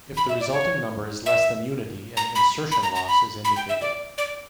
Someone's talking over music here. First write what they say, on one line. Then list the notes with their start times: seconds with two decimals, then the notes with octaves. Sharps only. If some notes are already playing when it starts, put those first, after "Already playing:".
If the resulting number is less than unity, an "insertion loss" is indicated.
0.17 B5
0.29 E5
0.40 D5
0.53 C#5
1.26 E5
2.17 A#5
2.35 B5
2.71 B5
2.83 A#5
2.95 A#5
3.08 B5
3.44 B5
3.56 G5
3.69 E5
3.81 D5
4.18 D5